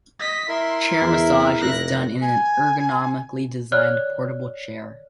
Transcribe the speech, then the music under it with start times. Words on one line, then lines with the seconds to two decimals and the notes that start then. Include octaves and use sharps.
Chair Massage is done in an ergonomically designed portable chair.
0.19 D#5 B6
0.48 E4 A#4 E5 C6
1.02 E2
1.60 F1 F#6 A#6
2.22 G#5
3.72 C#5 D5 F6 F#6